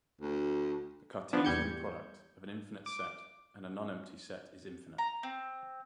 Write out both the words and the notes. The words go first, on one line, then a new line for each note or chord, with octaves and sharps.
The Cartesian product of an infinite set and a nonempty set is infinite.
D2
F3 B3 D4
E2 G3 G6 G#6 C#7
D6
A#5
C4